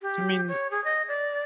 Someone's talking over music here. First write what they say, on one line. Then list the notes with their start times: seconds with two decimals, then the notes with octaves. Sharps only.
I mean
0.02 G4
0.48 C#5
0.71 G#4
0.84 D#5
1.08 D5